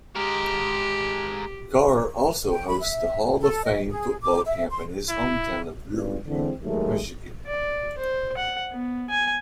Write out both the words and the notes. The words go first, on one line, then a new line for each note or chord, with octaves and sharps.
Carr also hosts the Hall-of-Fame Football Camp in his hometown of Riverview, Michigan.
G#3 G4 A#4
G5
B5
E5
A4
D#5
G#4
D6
E5
C6
E4
G#1 G2
D3 E3 G#3 C4
D#2 F#3 G#3 A3 A#4
D5
C5
F#5
B3
G#5